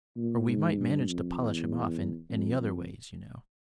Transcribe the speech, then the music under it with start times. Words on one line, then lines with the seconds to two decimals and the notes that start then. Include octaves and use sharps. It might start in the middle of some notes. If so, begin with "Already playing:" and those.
"Or we might manage to polish him off in any other way, you know."
0.17 A#2
0.47 G#2
0.77 G2
1.08 F2
1.38 E2
2.29 F2
2.60 F2